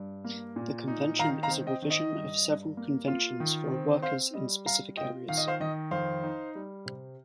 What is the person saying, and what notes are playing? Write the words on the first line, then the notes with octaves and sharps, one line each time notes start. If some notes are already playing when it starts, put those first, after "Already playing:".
The convention is a revision of several conventions for workers in specific areas.
Already playing: G2
A#3
A#2
D#4
D#3 F5 A#5
F5 A#5
C4
D#5 G5
D#3
D#5
G2
G2
A#3
F4
D#3
C4
C4 C5 F5
G3 D#5
G3 F5 A#5
F4 D#5 G5
D#3 F5
D#5
C5 F5
D#3 D#5
F2 C5 F5
D#4
G3
C3